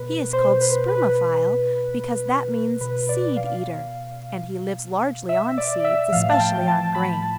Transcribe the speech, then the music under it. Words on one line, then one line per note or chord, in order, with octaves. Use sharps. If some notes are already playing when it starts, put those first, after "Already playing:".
He is called Spermophile because that means seed-eater, and he lives largely on seeds, especially on grain.
Already playing: B2 B4
C5
B4
B4
B2 B4
D5
F5
E5
D5
E5
A2 F3 F5
A5
G5
A5
B5
A5